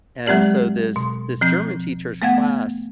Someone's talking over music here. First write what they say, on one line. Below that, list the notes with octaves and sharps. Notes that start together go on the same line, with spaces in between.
And so this this German teacher's class
F#3 G#3 C4 G4 D5
B2
F3 C4 G6
A3 B3 F5 F#5 G#6